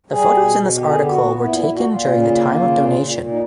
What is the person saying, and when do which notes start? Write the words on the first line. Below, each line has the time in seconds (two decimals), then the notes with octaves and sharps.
The photos in this article were taken during the time of donation.
0.11 G3 G#4
0.33 B2
0.55 B2
0.76 D3 G4
0.87 G#4
0.98 B3 G4
1.09 F#4
1.21 B3
1.41 A#2 E4
1.58 A#2 E4
1.75 F#4
1.85 A#2
1.90 F4
2.08 C#3
2.29 A#3
2.50 C#3
2.72 A#2
2.94 A#2
3.15 A#2
3.30 D#4